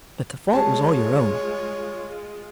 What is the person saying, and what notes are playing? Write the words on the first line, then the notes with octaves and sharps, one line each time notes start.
But the fault was all your own.
G3 G#3 F4 G#4 C#5 A5